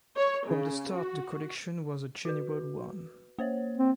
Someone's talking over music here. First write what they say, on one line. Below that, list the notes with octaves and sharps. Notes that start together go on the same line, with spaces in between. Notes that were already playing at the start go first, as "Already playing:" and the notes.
From the start the collection was a general one.
C#5
C#3
F#4
F#4 B4
A#3 C5 C#5
C4